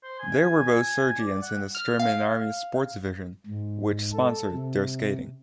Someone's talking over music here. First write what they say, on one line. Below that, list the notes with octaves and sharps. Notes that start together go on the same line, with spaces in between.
They were both sergeants in the German Army's sports division, which sponsored their skating.
C5
G#5
D5
F#5
F6
F5
G#2
A4
C3